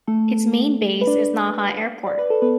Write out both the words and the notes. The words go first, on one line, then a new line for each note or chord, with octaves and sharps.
Its main base is Naha Airport.
A3 A4
B4
D4 D5
D5
B4
A4
B3 B4